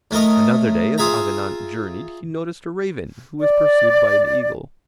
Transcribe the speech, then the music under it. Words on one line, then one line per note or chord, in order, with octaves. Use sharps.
Another day as Avenant journeyed he noticed a raven who was pursued by an eagle.
A2 A3 A#4 D#5
F4 G#4 E5 A#5
D5